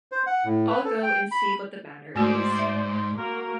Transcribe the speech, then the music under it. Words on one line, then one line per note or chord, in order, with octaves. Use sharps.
I'll go and see what the matter is.
C5
F#5
A2
B4
A4
G5
B5
G#2 A3 A#3 F#4 C5 D5
E5
A#3 F#4 A#4